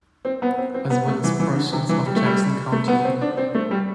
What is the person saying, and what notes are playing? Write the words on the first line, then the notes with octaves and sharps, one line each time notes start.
As well as portions of Jackson County.
C4
B3
C4
C4
B3
A3
E3
E3
D3
C3
E3
G3
A3
G3
A3
B3
C4
D4
C4
A3
G3